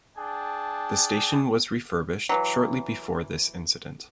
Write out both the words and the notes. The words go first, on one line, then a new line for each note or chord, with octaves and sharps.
The station was refurbished shortly before this incident.
D4 G#4 G5 A5
E3 F#3